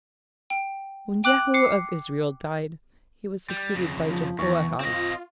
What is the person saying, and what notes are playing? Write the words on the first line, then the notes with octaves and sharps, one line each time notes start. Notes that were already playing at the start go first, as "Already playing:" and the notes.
When Jehu of Israel died, he was succeeded by Jehoahaz.
G5
G5 D6 F#6 F#7
D6 C7 C#7
G3
F2 C#3
F3
E2 E3 C#6
C4 F4 D#5